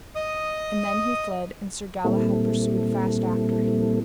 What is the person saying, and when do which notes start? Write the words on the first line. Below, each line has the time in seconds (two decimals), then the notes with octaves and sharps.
And then he fled, and Sir Galahad pursued fast after him.
0.16 D#5 D#6
2.04 A#2 G3 A#3 C4 E4 A4